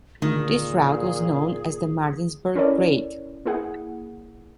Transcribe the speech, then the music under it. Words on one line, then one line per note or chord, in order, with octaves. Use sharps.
This route was known as the Martinsburg Grade.
D2 A#2 D#3 G#4
C#4 E4 A4 A#4 C#5 D5
A#3 E4 G#4 F#5